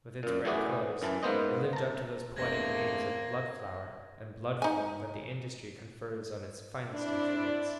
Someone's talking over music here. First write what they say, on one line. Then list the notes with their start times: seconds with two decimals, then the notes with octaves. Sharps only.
With its bright colors, it lived up to those poetic names of blood flower and blood foam that the industry confers on its finest exhibits.
0.23 F#2 A#2
0.45 A2 E3 F#4 G#4 D5
1.02 F#2 E3 A5
1.23 G#2 A#3 B3 C5 D#5
1.73 A5 A#5
2.36 E2 G2 A3 A#3 C4 G#6 A#6
4.62 D#4 G#5
6.91 C4 D4 E4 D5